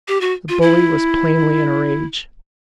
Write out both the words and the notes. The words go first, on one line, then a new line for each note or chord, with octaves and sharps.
The bully was plainly in a rage.
G4
F#4
F4
E4